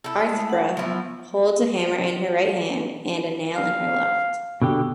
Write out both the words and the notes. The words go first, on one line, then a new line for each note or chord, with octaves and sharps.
Athrpa holds a hammer in her right hand and a nail in her left.
E4 A4
G#3 A3 D#6
F#5 A5
F3 F#3 B3 E4 C#6
F5
B2 D3 G4